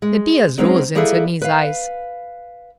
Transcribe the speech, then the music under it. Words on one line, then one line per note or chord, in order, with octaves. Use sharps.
The tears rose in Sydney's eyes.
G#3
F#3 G#3 C4 C#4 D#4
G3 A#3 E4 G#4 A4 B4
B4 F5